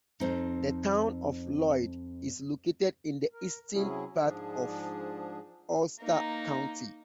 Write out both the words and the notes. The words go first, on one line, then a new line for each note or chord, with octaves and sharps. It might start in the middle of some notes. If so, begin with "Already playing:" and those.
The Town of Lloyd is located in the eastern part of Ulster County.
F2 C4 D#4
A#4
C3 F#3 C#4 E4 G#4
G#2 F3 D4 G#4
A#3 D#4